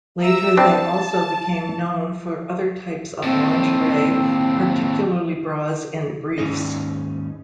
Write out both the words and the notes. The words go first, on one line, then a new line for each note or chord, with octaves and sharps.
Later they also became known for other types of lingerie, particularly bras and briefs.
E5 A#5 E6
B3 C4 D4 A5
D#2 A2 C4
D#2 G#2 C#4 D#4 D#5